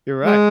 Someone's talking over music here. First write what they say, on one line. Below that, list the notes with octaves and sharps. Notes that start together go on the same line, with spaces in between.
You're right.
G#3